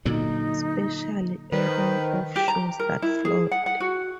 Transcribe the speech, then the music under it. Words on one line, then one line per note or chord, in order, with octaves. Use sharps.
Special airing of shows that flopped.
A#2 D3 F#3 D#4
D#3 B4 C5
G4
A#5
A#4
E4
G#4
F#5
F#5
F#4